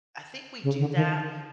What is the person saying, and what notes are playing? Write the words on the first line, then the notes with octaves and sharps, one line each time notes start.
I think we do that
C#3
D3
D#3